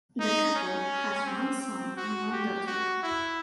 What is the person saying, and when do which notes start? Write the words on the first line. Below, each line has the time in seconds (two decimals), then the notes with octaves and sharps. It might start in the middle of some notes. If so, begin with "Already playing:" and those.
The couple has one son and one daughter.
0.20 D#4
0.55 C#4
1.26 C4
1.61 C4
1.97 F#4
2.32 G4
2.67 F#4
3.03 E4